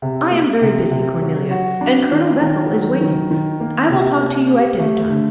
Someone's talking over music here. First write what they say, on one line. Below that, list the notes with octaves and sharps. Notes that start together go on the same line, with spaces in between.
I am very busy, Cornelia, and Colonel Bethel is waiting; I will talk to you at dinner-time.
C3
A#3
C3
C3
F#3
F#4
D4
D#3
D#3
F#3
D#3
D#3
A#3
C3
A#3
G4
A3
D3